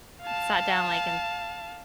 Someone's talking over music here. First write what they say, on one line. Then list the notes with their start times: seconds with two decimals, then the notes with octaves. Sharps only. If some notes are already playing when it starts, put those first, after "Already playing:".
sat down, like, and
0.22 F5 A5